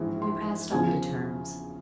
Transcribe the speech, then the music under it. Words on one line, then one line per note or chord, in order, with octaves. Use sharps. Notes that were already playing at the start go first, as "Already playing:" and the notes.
We passed on to terms.
Already playing: A#1 G#2 E3
C6
E2 C#3 F3 G#5